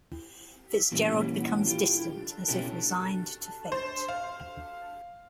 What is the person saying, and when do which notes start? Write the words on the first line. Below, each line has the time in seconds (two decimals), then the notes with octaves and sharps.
Fitzgerald becomes distant, as if resigned to fate.
0.92 A#2 E3 G3 A#3 C#4
1.67 F4 G4
2.48 B2 C#4 E4 G4 A#4
3.72 C5
4.08 F5